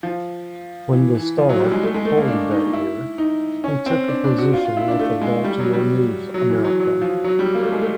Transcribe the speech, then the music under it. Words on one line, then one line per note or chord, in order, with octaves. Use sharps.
When the "Star" folded that year, he took a position with the "Baltimore News-American".
F3
E3
E3
F3
F#3
G3
G#3
A3
G#3
A3
A#3
D4
D#4
E4
D#4
C#4
C4
D4
D4
F#4
F4
F4
E4
D4
A3
G#3
G3
F#3
G3
F#3
E3
F#3
F#3
F3
F#3
G3
A#3
A3
G#3
A3